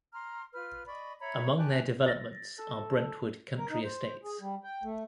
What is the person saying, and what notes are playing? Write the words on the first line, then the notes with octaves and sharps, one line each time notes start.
Among their developments are Brentwood Country Estates.
A#5 C6 F6
F4 B4 F6
D5 D#5 B5 C#6
C#5 E5 A#5 B5
G4 G#5 A5 F#6
A6 A#6
A4
A#4
D#4
C5
G#4
G3
G5
A3